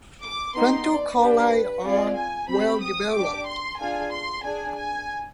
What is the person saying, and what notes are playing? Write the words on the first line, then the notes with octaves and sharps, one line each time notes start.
Frontal calli are well developed.
D6
B3 D#4 G4 C6
D5
D4 G4 B4
C4 F4 G#4 D5
G#5
C4 G4 B5
D#6
G4 D6
D4
C6
D4 F4 G#4 G#5
C6
D4 G#4 G#5
G#5